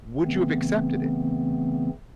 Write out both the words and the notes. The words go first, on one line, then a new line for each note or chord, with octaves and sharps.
would you have accepted it?
C#3 E3 A3 B3 C4